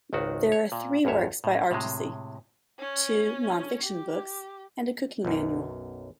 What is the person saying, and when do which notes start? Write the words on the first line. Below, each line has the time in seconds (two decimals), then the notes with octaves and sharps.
There are three works by Artusi: two non-fiction books and a cooking manual.
0.13 G#1 C#2 D#3 F#4
0.52 C#5
0.72 A#2
1.05 A1 E2 G2 C#5 E5
1.44 A2
1.71 A2 C3 G#3
2.79 C#4
3.83 G4
5.25 B1 F#2